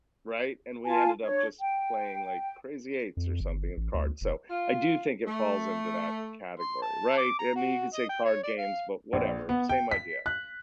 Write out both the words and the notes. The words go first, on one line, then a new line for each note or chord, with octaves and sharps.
right? And we ended up just playing, like, Crazy Eights or something and cards, so I do think it falls into that category, right, I mean, you can say card games, but whatever, same idea.
F4 G#5 A5
D4 C#5
G5
F2
G1
A1
D2
F1
F4
A3
C6
A5
D6
A#5
F#4
D#5
G5
C#5
D5
F5
A#1
B3
G5
B6
F#6